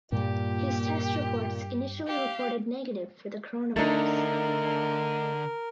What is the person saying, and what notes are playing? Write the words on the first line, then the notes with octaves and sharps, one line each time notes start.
His test reports initially reported negative for the coronavirus.
G2 A#2 G3 G4
G4 F5
D3 A3 D4 D#4 A#4 A6